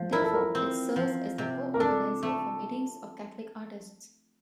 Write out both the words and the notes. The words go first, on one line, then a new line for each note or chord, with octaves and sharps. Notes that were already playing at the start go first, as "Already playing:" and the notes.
Therefore, it serves as the co-organizer for meetings of Catholic artists.
Already playing: F3
E4 A#4
A4
A#4
C4
F3
C3
A#4
D4 A4
A3